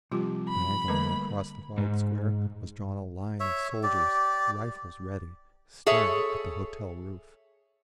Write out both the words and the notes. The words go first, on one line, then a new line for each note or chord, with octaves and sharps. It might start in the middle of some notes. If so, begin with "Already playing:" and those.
Diagonally across the wide square was drawn a line of soldiers, rifles ready, staring at the hotel roof.
C3 F3 G3 F4 G4
B5
D3 G3 A3 A#3 B4
G#2
C#5 E5
G4 D5
G#4 A4 C#5 E5